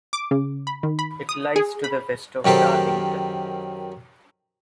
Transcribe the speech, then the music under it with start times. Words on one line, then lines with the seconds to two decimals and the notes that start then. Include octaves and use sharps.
It lies to the west of Darlington.
0.13 D6
0.31 C#3
0.67 B5
0.83 D#3
0.99 B5
1.29 D#6
1.56 G#4
1.84 B5
2.45 F#2 D#3 G4 A4 C5